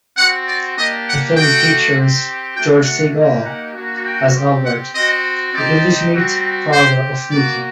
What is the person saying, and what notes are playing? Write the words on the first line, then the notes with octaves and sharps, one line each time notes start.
The film features George Segal as Albert, the illegitimate father of Mikey.
C4 F#4 F#5
D5
A#3 D4 G4 D#5
F#5
A3 D4 F#4 G5
C4 G4
A3 D4 F#4 G5
F#5
A#3 D#4 G4
F#5
A#3 D4 F#4
G5
C4 G4
F#5
C4 F#4 D#5
C4 D#4 G4 D5
G3 C4 F#4
C4 G4 C5
A#3 F#4 D5